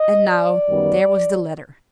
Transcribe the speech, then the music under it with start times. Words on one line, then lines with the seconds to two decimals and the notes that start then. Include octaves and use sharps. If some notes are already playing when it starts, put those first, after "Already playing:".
And now--there was the letter!
Already playing: D#5
0.29 D5
0.67 F#2 D#3 G3 B3